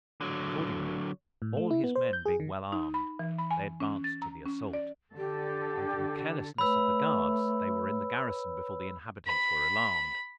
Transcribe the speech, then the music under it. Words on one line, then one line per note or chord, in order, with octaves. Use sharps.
Accordingly, all his men being well armed, they advanced to the assault; and, from the carelessness of the guards, they were in the garrison before the inhabitants were alarmed.
D3 F#3
A2
A3
E4
B3
C5
G6
G#4
D#3
D#4
B5
E3
B5
G#5
C#4
A6
A#5
C#4
D5
D3 G4 A4
A3 B4 C#5 B5 E6
B5